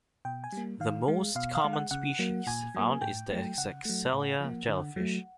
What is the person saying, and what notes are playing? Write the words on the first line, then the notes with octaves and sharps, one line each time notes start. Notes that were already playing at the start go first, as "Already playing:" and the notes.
The most common species found is the "Essexella" jellyfish.
B2 G5
G#5
G3 A#3
D#3 F5
G#3
B2 F5
F5
G#3
F#5
C#3 F#5
F#3 A#3
A#2 G#5
F#3 A#3
A2 G5
F#3 A3
C#3 F#5
F#3 A3
A2
F3 A#3
D3
F#3 A3